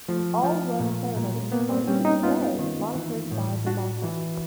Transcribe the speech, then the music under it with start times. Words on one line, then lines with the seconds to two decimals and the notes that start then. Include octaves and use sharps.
All royal ceremonies are even today monitored by the Matha.
0.09 F3 A3
0.44 F3
0.80 A#2 A3
1.16 A#2
1.52 A#3 B3
1.69 C4
1.87 G3 C#4
2.05 D#4
2.23 B3 F4
2.59 D#3
2.96 E3
3.31 A2
3.66 D4 F#4
4.03 E3